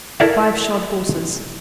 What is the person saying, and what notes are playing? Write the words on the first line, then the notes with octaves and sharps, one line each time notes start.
Five shod horses.
E4 A4 A#4 D5 E5 F5